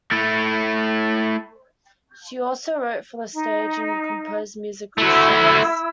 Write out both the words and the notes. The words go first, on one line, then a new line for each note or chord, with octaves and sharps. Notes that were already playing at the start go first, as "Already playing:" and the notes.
She also wrote for the stage, and composed music for songs.
A3 E4
D#4
A3 E4 F#4 E6